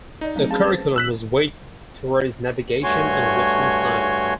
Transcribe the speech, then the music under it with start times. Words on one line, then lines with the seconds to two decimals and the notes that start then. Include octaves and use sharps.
The curriculum was weighed towards navigation and western science.
0.21 D#4 D5 D#5 A#5
0.36 F#3 A3 C4
0.51 C#4 G#4 F5 A5
0.67 B4 C5
0.96 E6 F#6 B6
2.83 G2 A3 F#4 C#5 G#5 C6